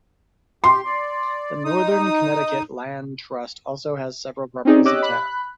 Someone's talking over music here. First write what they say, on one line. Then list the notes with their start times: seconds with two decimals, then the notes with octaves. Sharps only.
The Northern Connecticut Land Trust also has several properties in town.
0.64 G4 C6
0.84 D5
1.64 D#4 D#6
4.65 C4 C#4 D#4 G#4 D5
4.85 G4 C#5 D#5 D6 E6 F#6
5.02 B5 F#6